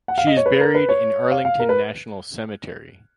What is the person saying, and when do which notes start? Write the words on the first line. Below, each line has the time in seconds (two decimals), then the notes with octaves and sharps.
She is buried in Arlington National Cemetery.
0.08 F#5
0.18 F5
0.27 D#5
0.37 C#5
0.46 B4
0.61 A#4
0.75 B4
0.89 C#5
1.31 F5
1.45 F5
1.59 A#4
1.69 B4